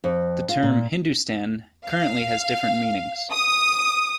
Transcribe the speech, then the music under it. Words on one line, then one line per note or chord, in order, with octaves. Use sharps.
The term "Hindustan" currently has different meanings.
F2
F4
A#2
F5
D#6